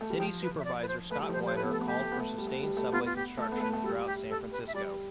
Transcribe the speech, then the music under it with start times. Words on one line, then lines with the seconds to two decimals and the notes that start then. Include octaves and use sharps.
City Supervisor Scott Wiener called for sustained subway construction throughout San Francisco.
0.01 A3
0.10 G3
0.19 F3 G5
0.42 B4
0.59 E5
0.64 D5
0.82 B4
0.88 C5
1.10 A3 B4
1.19 G3
1.29 F3 C5
1.39 G3
1.46 C5
1.56 A3 B4
1.63 B3
1.71 A3 A4
1.80 B3
1.86 A3 G4
1.96 B3
2.03 A3
2.12 B3
2.20 A3
2.38 G3
2.47 A3
2.63 G3
2.77 A3
2.92 B3 F4
3.06 F4
3.16 G4
3.38 A3 A4
3.52 B3 A4
3.60 A3 B4
3.74 A3
3.84 G3 A4
4.06 G4
4.30 A4
4.52 B4
4.67 E5
4.74 G3 D5